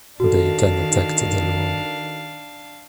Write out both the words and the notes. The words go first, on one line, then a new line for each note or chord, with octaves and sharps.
They then attacked the Luo.
D#3 D4 F#4 A4 F5